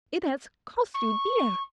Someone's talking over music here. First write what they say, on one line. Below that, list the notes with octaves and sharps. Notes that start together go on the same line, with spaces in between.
"It has cost you dear!"
C#6